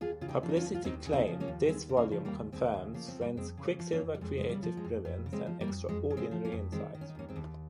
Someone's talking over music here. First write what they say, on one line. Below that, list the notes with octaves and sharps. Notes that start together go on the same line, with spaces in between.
Publicity claimed this volume confirms Friend's quicksilver creative brilliance and extraordinary insight.
D#2 F4 G#4
C#3 F4
D#4 G4
F3
D#4
C#4 F4
D#2
F4
D#2 C4 D#4
C#3
C4 D#4
F3
A#3 C#4
D#2
D#2 G#3 C4
C#3
A#3 C#4
F3
G3 A#3
D#2
D#2 G#3 C4
C#3
F3 A#3
C4
D#2
G3 A#3
F2 G#3 C4
C#3
A#3 C#4
F3
A#3 C#4
F2
G3
F2 G#3
C#3 G#3
G3
F3
G#3
F2
F2
C#3
G#3 C4
F3
G3 A#3
F2
F2 G#3
C#3
G#3 C4
F3
A#3 C#4
F2
D#3 G#3 C4
D#3
C#4
D#4
D#2 A#3 C#4
G#3 C4
D#2